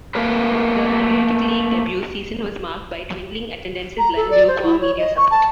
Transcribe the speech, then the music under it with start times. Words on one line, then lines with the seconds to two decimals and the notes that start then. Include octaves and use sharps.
The Adriatic League debut season was marked by dwindling attendances and lukewarm media support.
0.15 A3 A#3 A#4 B4
3.98 A#5
4.16 A4
4.30 D5
4.48 C5
4.63 E4
4.81 C#5
4.98 D#5
5.17 C#6
5.31 A5